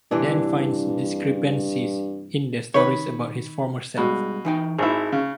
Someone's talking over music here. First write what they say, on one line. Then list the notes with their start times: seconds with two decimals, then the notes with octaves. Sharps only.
Dan finds discrepancies in the stories about his former self.
0.11 G2 C3 E3 D4
2.74 D#3 B4 C#5
3.97 G2 B2 G#3
4.45 E3 D#4 G5
4.78 G#1 D#4 E4 G#4
5.12 C#3